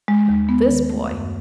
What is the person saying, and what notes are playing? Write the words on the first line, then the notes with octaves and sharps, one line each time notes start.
But this boy....
G#3
D#2
B3
D#3
A3
F#2